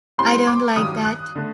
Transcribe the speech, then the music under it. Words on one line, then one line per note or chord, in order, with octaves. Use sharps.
I don't like that.
A2 G3 C4 C6
D6
G2 D#3 F#3 D#6
F#6
D3 A3